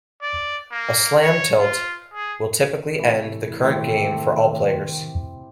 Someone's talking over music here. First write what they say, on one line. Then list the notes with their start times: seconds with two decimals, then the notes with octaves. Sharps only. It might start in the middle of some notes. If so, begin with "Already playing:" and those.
A slam tilt will typically end the current game for all players.
0.22 D5
0.72 A#3
1.22 C#5
1.59 F4
2.14 G#4
2.99 A2 C3 E3 A3
3.62 D#3 A3 C4 G4